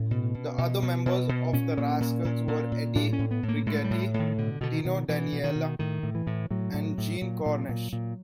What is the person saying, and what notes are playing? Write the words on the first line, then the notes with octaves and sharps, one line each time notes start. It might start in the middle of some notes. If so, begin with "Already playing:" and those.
The other members of The Rascals were Eddie Brigati, Dino Danelli and Gene Cornish.
Already playing: A2 C#4
B2
B2
B2
B2
B2
B2
A#2 C#4
A#2
A#2
A#2
A#2
A#2
A2 D4
C#4
A2
B3
A2
A#3
A2 G#3
G3
A2
A2
D#3
B2 D3
B2 D3
D#3
B2
B2 E3
B2
D#3
B2
A2 D#3
A2
E3
A2
A2 F#3
A2
A2
A#2
A#2
A#2
A#2